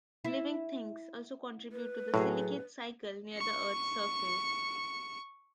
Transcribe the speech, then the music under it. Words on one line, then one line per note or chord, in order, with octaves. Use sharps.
Living things also contribute to the silicate cycle near the Earth's surface.
E4
B4
A2 F#3 F#4 G#4
C#6 C#7